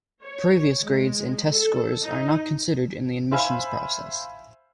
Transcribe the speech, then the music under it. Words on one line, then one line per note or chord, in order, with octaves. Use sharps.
Previous grades and test scores are not considered in the admissions process.
C#5
G#3
A4
D#4
C5 E5 F5 G#5 B5